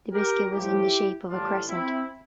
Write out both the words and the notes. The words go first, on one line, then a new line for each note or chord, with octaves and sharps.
The biscuit was in the shape of a crescent.
G4 A#4
A2 F3 E4 G4
A2 E3 G3 D4 F4
C4 E4